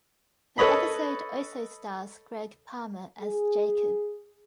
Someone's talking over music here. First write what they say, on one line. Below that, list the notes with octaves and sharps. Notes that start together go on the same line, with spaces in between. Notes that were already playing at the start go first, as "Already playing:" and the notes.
The episode also stars Gregg Palmer as Jacob.
A4 B4 C#5 D#5 B5
G#4